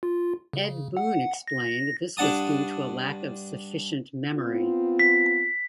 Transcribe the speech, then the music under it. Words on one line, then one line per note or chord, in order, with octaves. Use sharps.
Ed Boon explained this was due to a lack of sufficient memory.
F4
C#3
F#5
A#6
G2 D4 F#5 A5 D#6
B3 C4 F4
B6